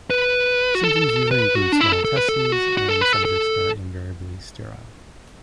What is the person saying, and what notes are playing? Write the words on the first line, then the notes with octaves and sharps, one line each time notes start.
Symptoms usually include small testes and subjects are invariably sterile.
B4
F#4
A4
B4
F#4
D4
E4
A4
A4
B4
A4
F#4
F#4
A4
B4
A4
A4